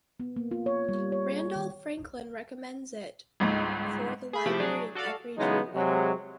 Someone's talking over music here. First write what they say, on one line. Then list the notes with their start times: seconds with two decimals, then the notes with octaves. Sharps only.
Randolph Franklin recommends it "for the library of every geometer".
0.20 B3
0.36 A#3
0.51 F4
0.66 C#5
0.89 G3
1.12 C#5
1.31 G#4
1.56 D#3
3.40 G1 C#2 G#2
4.33 G#4 B5
4.46 C3 F3 A3 E4 G4
4.60 F#3 D4 G#4
4.95 F#4 A4 D5 F5
5.38 C#3 E3 F#3 G#3 B3 D#4
5.74 C3 F#3 G#3